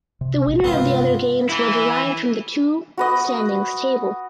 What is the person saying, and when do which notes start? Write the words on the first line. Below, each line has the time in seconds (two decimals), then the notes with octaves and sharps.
The winner of the other games were derived from the two standings table.
0.21 C3
0.47 A1 B2
0.64 G2 C3 G#3 B3 C4 F4
1.49 E3 E4
2.97 F#4 B4 D#5